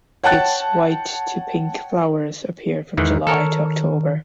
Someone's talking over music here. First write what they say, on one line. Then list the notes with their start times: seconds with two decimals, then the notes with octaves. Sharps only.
Its white to pink flowers appear from July to October.
0.24 C#5 F#5 G5 A5 F#6 A6
2.97 E2 G#2 D#3 E3
3.27 D#3 A4 A#4 C#5